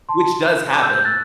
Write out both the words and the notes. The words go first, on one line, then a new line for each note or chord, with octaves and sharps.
which does happen,
A5 C6
D6 F#6
E6 G6
E6 G6
F#6 A6